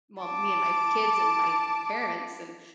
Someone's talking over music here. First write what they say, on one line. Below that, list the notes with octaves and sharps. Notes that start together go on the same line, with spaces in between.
well, me and my kids and my parents, and
A5 D6